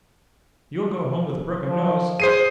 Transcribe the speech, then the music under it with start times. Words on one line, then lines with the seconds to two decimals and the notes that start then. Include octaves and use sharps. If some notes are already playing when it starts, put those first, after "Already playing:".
"You'll go home with a broken nose!"
1.68 F3
2.20 G#4 C5 C7 D#7